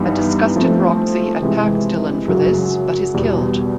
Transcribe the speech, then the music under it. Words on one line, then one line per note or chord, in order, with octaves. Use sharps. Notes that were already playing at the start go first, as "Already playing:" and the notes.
A disgusted Roxy attacks Dillon for this but is killed.
Already playing: G2 E3 G3 B3 D#4
F3 A3 C4
C3 E3 G#3
F#2 C#3 F#3
E2 B2 G3